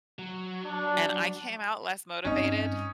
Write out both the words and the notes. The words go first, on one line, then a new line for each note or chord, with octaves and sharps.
and I came out less motivated
F#3
D4
G2 C4 C#4 D#4